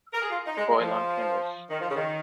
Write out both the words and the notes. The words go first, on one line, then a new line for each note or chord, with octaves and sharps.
Oil On Canvas.
A#4
G#4
F4
D#4
G#3
G#3
F3
D#3
F3
C#3
D#3